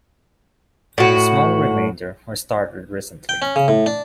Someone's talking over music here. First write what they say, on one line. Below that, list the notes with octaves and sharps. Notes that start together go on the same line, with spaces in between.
The small remainder were started recently.
A2 F#4
G5
C#4
C#3
A2
D4